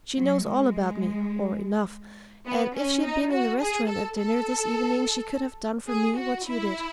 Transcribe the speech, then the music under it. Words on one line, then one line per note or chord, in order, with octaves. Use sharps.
She knows all about me--or enough--and if she'd been in the restaurant at dinner this evening she could have done for me what you did.
F#3
G#3
B3
C#4
D#4
F#4
G#4
A4
A4
G#4
F#4
E4